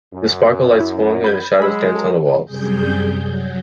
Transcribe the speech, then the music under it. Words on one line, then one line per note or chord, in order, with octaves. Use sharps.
The sparkle light swung, and the shadows danced on the walls.
F#2
E4
B5 G6 G#6
F#3 G#3 G#5 B5 E6
A4 A#4
F#2 C3 G3 G#4 G6
F#3